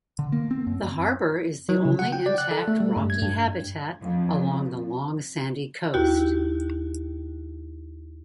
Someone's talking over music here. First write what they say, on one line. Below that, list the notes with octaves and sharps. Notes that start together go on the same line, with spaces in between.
The harbor is the only intact rocky habitat along the long sandy coast.
D3
A#3
C4
F#2
F#3
C#3
F#5
G5
D5
F#6
A4
A3
G3
G2
G#6
G2
F2
D#2 E4 F#4 G4